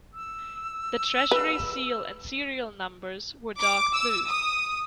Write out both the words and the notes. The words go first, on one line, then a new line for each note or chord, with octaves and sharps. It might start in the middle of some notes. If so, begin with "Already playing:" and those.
The treasury seal and serial numbers were dark blue.
E6
B4
D6
E6
D#6